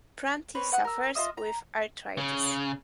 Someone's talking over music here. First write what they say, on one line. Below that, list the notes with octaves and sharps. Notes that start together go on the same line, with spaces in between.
Prunty suffers with arthritis.
C4 B4 C#5
B4 F#5 D#6 F#6
A#4 E6
F4 D#5 E5 D#6
A#5
C#3